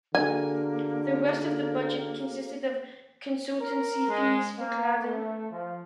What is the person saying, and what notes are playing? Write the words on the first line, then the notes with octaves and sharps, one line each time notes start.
The rest of the budget consisted of consultancy fees for Gladden.
D3 A#3 F#4 G#4 A4 G#5
A#4
G#3
A#3
A3
F3